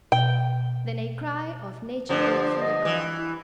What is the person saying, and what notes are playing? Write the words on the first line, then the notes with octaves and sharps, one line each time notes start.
Then a cry of nature broke from the girl.
B2 G5
G2 D3 F3 C5
D#5
E3
E4